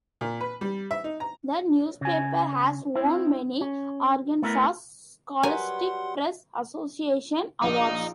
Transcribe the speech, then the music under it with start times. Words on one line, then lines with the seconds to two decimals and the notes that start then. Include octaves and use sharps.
The newspaper has won many Arkansas Scholastic Press Association awards.
0.21 A#2
0.41 B4
0.61 G3
0.91 E5
1.04 D#4
1.20 A#5
2.01 C#3 G#5
2.95 C4 E4
3.61 C#4
4.42 A3 B3 E4 A#4 B4
5.43 F#3 G3 A#4 B4 F#5 G#5 C6
7.62 A#1 D#4 F5 D6